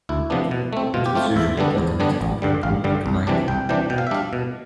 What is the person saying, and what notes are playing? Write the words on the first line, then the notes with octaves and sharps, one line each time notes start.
It was usually detonated with a pull igniter.
D2 E4
C3 F3 B3 D4
B2
A3 C4
B2 F4
G4
A3 C4 F4
E2 E5
D3 G3 B3 D4
E2
D3 G3 B3 D4
A1
G2 D3 G3
A1 F5
G2 D3 G3
C2
C3 E3 G3 D4
C2 G5
C3 E3 G3 D4 G5
B2 G5
F5
E5
G3 D4 F5
B2